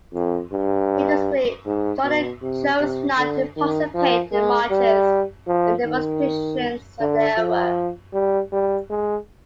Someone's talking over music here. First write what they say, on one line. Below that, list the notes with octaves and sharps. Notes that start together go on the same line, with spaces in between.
Interestingly, Jordan chose not to participate in the marches and demonstrations of the era.
F2
G2
G#2
B2
C3
C3
D3
D#3
F3
G#3
G3
F3
D#3
D3
F3
G3
G3
G#3